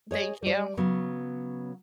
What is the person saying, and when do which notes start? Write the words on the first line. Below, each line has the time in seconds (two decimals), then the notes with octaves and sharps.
Thank you.
0.11 G#4 C#5 D#5
0.42 G3 D5
0.77 C#3 F#3 B3